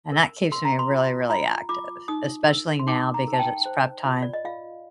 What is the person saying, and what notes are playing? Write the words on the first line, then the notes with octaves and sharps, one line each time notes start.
and that keeps me really, really active, especially now because it's prep time,
A#4
A#4 C6
A#5
C6
F4
F4 A#5
F4 D6
D#4 D#6
A#4
C6
D#4 D6
A#5
A#4
A5
G5
C5
F4
D5
D#5
F4 F5